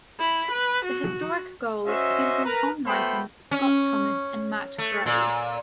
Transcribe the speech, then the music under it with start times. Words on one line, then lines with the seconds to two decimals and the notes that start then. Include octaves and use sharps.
The historic goals came from Tom Knighton, Scott Thomas and Matt Groves.
0.20 E4 B5
0.51 B4
0.85 F#4
1.86 C#4 F#4 C5 D#5 E5
2.45 A#4 B4 A#5
2.87 A3 B3 F#4 C5 G5 B5
3.51 C#4
4.78 A3
5.06 A#2